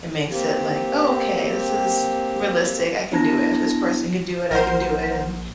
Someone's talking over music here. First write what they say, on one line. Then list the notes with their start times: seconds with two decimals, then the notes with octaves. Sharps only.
It makes it like, "Oh, okay, this is realistic, I can do it. If this person can do it, I can do it." And,
0.30 A#3 C4 G4
3.12 B3 D4 E4 A5 G#6 A#6
4.51 A#1 A#4 C5 F#5